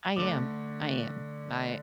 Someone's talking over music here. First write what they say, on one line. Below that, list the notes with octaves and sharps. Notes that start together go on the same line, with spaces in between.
I am. I am. I uh,
D3 A3 D6